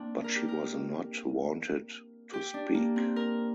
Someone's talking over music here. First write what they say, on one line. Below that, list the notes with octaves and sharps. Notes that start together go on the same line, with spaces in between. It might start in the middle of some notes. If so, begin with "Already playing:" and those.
But she was not wanted to speak.
Already playing: A#3 C4 D4
A#4
G4
A#4
G4
D4
A#3
C4
A#4